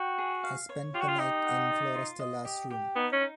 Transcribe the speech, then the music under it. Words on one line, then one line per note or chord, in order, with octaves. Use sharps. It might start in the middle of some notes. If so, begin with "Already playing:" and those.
I spent the night in Florastella’s room.
Already playing: F#4 G5
G#4
F5
C#5
F4 G4
F#4
F4
D#4 G4
F#5
D5
F4
D#5
G4
G4
B3 D#4
C#4
D#4